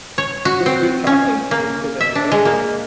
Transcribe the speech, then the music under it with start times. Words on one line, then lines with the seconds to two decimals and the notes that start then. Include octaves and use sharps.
it was good talking to you today!
0.18 C#5
0.45 F#4
0.66 C4
1.07 C#4
1.51 A#3
2.00 E5
2.15 D4
2.32 G#3
2.45 A#3